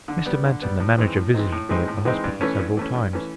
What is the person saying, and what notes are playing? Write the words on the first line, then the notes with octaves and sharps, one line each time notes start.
Mr. Manton, the manager, visited me at the hospital several times.
D3
G3 B3
D3
G3 B3
A2
E3 G#3 C4 D#4
A2
E3 G#3 C4 D#4
A2
E3 G#3 C4 D#4
A2
E3 G#3 C4 D#4
G2
E3 A3 C#4
G2
E3 A3 C#4
G2
E3 A3 C#4